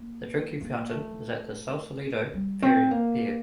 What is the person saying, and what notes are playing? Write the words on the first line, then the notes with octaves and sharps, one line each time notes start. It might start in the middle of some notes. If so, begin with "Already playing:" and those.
The drinking fountain is at the Sausalito Ferry Pier.
Already playing: A#3
A#3
A3
G3
C4
A#3